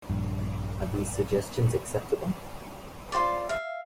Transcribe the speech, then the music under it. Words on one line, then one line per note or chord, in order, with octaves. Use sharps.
Are these suggestions acceptable?
A#1 G2
F4 F#4 C5 D5
E5 F5